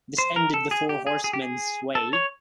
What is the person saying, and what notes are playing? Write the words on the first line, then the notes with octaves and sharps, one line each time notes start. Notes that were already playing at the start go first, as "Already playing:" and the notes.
This ended the Four Horsemen's sway.
C5
A#4
A4
G#4
G4
G#4
G#4
G4
G#4
A4
C#5